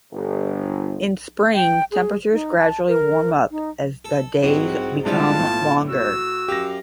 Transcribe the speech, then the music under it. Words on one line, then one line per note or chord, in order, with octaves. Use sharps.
In spring, temperatures gradually warm up as the days become longer.
G1
G5
G#4
D#4
A5
A#4
D#4
A4
C2 G#2 F#3 C4 F#4
C2 C3 G3 G#3 D4 F4 F5 A5
B1 A2
F#4 E6
F#2 G4 F5 A#6